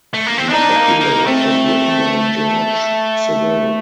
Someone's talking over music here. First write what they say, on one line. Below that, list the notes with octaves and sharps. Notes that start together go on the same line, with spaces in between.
The epilogue was written by George Sewell.
A3
A#3
C4
D4 D#4
A#3
A#3
A3 C4